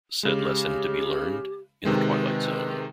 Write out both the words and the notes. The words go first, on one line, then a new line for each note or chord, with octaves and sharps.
Said lesson to be learned in the Twilight Zone.
C#3 G#3 G4
C3 D#3 G#3 B4